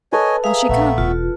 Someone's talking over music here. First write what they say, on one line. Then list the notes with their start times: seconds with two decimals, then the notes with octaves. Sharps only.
Will she come?
0.13 A4 B4 C#5 D#5 G#5
0.44 G#4 E5 F5 A#5
0.69 A#1 A3 B3 E5
0.98 E1 F4